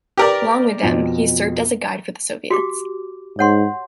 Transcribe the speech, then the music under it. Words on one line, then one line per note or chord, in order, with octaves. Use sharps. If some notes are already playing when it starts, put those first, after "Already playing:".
Along with them, he served as a guide for the Soviets.
G4 A#4 B4 D5
F2 B2
F#4 G4 D6
G#2 C#5 F#5 C6